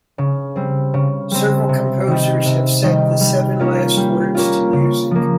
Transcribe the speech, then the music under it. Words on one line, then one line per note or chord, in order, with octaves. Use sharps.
Several composers have set the Seven Last Words to music.
C#3
G3 C4
C#3
G3 C4
C3
D#3 G3
C3
D#3 G3
G3
A#3 C#4 F4
G3
A#3 C#4 F4
C#3
F3 A#3